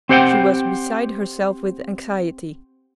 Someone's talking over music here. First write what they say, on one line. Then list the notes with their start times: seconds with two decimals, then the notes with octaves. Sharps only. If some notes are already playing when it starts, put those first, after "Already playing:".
She was beside herself with anxiety.
0.09 C4 G4 C5 F#5 G5